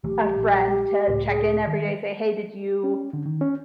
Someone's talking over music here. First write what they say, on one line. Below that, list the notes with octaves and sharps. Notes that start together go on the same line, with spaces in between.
a friend to check-in every day, say, "Hey, did you
B1 E3 A3 G4
A#1
C#2 A2
G#4
D#3 F3 G3 E5
C#4
D3
D#3
C#4